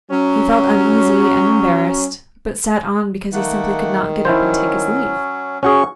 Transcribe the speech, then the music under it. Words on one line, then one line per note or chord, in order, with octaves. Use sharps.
He felt uneasy and embarrassed, but sat on because he simply could not get up and take his leave.
F#3 C#4
D#3 A3 A#3 F#5
F#3 C#4 E4 C5
C#4 F#4 G#4 C#6